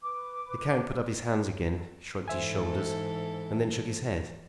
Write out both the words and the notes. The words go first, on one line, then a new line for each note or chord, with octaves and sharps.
The count put up his hands, again shrugged his shoulders, and then shook his head.
B4 D6
G#2 E3 A4 C5 E5 G#5